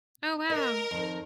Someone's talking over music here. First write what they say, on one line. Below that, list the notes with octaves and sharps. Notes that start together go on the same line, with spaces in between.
Oh, wow.
A#4 D#5
F2 D#3